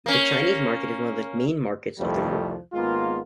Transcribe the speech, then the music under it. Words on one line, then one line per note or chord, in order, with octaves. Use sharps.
The Chinese market is one of the main markets of the Group.
A#3 C#4
C2 F2 D#3 F3 G3 A3
G#1 G#3 A#3 B3 F4